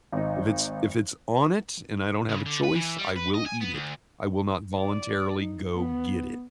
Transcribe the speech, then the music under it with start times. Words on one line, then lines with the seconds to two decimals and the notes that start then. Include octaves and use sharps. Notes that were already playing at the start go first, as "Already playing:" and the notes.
if it's if it's on it, and I don't have a choice, I will eat it. I will not voluntarily go get it,
0.12 G#1 D#4
2.29 C#3
2.46 D3
2.63 B4
2.75 E3
2.98 G3
3.16 B4
3.34 D#5
3.46 G#5
3.61 B3
3.75 D2
4.79 D5
5.41 D#4
5.72 B3